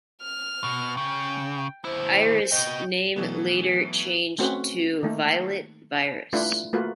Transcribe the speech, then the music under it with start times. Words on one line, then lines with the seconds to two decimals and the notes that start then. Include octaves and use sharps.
Iris' name later changed to Violet Virus.
0.22 F6
0.64 B2
0.97 C#3 G5
1.85 D#2 E4 C5
2.52 F#4 D#5 G5
3.16 B2 E3 F#3 A3 B3
4.38 A3 C4 C#4 F#4 B4
5.03 D#3 A3 A#3
6.33 A3 D4 E4 F4 B4
6.73 A3 A#3 F4 F#4 B4